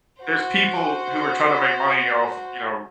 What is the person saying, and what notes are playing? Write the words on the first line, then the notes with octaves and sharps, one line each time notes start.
there's people who are trying to make money off, you know,
F#4 C5